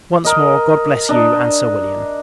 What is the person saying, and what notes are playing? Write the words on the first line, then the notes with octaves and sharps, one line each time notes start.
Once more, God bless you and Sir William.
A#4 D#5
D4 D#5